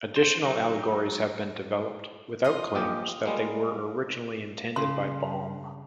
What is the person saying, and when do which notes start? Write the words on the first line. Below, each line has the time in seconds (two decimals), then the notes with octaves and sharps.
Additional allegories have been developed, without claims that they were originally intended by Baum.
0.16 C5
0.44 F#3 D#4
2.44 F4 D#5
2.75 A#1 G4
3.26 G3 G#3 A#3
4.76 C#3 C6